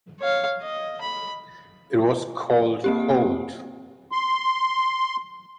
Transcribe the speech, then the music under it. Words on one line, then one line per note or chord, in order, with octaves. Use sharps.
It was called Holt.
C#5 F5
D#5
B5
A#3 C4 G4
C6